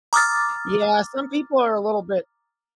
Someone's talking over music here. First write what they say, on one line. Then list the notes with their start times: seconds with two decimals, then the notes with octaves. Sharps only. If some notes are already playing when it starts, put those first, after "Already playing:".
Yeah, some people are a little bit
0.13 A#5 D6 D#6 F6 A6